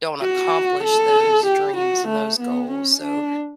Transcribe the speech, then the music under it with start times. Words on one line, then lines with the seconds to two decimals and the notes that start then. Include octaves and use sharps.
don't accomplish those dreams and those goals, so,
0.22 F#4
0.84 A4
1.47 G4
1.77 F#4
2.08 A3
2.40 B3
2.71 C#4
3.02 D4